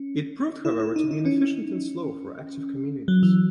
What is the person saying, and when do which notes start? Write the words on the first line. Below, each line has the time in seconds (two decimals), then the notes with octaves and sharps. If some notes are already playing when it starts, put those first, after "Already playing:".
It proved, however, to be inefficient and slow for active communities.
Already playing: C#4
0.65 E4
0.80 E4
0.96 D#4
1.11 D#4
1.25 C#4
3.08 F#3
3.23 E3